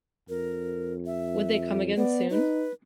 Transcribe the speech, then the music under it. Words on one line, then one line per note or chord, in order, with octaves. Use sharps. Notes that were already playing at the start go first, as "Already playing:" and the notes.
Would they come again soon?
F2 A#4
E5
B3 D5
D#4 B4